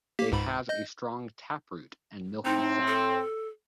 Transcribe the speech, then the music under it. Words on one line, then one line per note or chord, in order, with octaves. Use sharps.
They have a strong taproot and milky sap.
A#3 G4 B6
C#2 G#2 B5
D#5 G6
A2 C4 D#4
A4